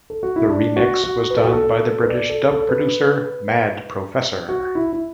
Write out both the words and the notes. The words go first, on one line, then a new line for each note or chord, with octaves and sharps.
The remix was done by the British dub producer Mad Professor.
A4
F#4
E4
D4
F#4
F#4
B4
A4
F#4
A4
B4
D5
A4
A4
B4
F#4
E4
E4